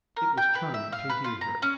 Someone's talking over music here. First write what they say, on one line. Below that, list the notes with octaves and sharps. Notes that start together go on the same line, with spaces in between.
It was charming to hear her.
A#4
G5
B4
E5
F5
B4
F4
A#5
C#4